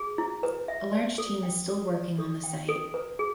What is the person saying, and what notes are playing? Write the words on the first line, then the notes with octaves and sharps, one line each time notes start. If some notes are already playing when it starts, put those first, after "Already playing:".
A large team is still working on the site.
Already playing: G#4
E4
B4
E5
D5
A4
G5
A4
D5
A4
G5
A4
B4
G#4